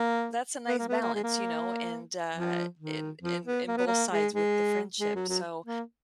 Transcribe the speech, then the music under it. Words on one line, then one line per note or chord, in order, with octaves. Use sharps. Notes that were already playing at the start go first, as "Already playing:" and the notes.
that's a nice balance, you know, and, uh, in in in both sides with the friendship, so
Already playing: A#3
B3
A#3
B3
A#3
G#3
A#3
F3
D#3
F3
B3
A#3
B3
A#3
G#3
G#3
G#3
F#3
F#3
A#3